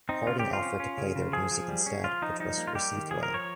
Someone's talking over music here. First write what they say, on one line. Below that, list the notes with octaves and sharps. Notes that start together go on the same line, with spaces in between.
Harding offered to play their music instead which was received well.
C4 D#4
C#3 F4
C4 G4
F4
C#4
C#4
C#3
C#3
F3 G#4
F3
G3
C#4
F3 F4
F3 D#4
G3 D#4
A#3
F4
G3 G4
D#3
F3 G#4
A#4
F3
C#5